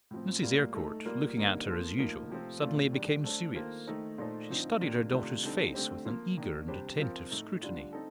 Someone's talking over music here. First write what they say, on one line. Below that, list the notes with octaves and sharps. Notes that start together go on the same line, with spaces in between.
Mrs. Eyrecourt, looking at her as usual, suddenly became serious: she studied her daughter's face with an eager and attentive scrutiny.
A2 F3 C4
A2 G3 A#3 F4
A3 D#4 A4
G3 A#3 F4 A#4
D3 G3 A#3 D#4
F3 A#3 F4 A4
A2 F3 A#3 D#4 A#4
C3 F3 A3 C4
A#2 A3 C4 F4
D#3 G3 D4
A3 D4 A4 C5
D#3 A#3 F4 A4 C5
D#3 A3 D#4 A4 C5
A#2 A3 D#4 A4 C5
D3 F3 C4 D#4
C3 D#3 A#3 D4 F4
C3 D#3 A3 D4 F4
D3 G3 C4 D#4 A4
D3 A3 C4 G4 C5
F3 A#3 F4
D#3 A#3 D4
C3 G3 D4 G4 C5
F3 C4 F4 A#4
A2 A3 D#4
D3 G3 D4 F4
C4 D#4 A4